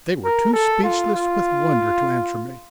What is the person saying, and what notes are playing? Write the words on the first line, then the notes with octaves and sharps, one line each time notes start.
They were too speechless with wonder to answer me.
A#4
A4
F4
F4